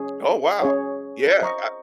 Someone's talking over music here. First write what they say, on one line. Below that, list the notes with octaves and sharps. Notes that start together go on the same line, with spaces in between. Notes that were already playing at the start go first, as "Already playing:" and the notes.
Oh, wow. Yeah, I
Already playing: C#4 G#4 C#5
C#4 G#4 C#5
C5 D#5 A#5 C#6